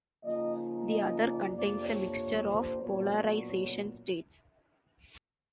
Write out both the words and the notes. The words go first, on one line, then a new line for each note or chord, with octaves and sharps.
The other contains a mixture of polarization states.
C#3 F3 A#3 D#4 D#5
D#5
D5
F2 C3 F3 A#3 D4 D5
C#5
C5
A#2 F#3 B3 D4 C#5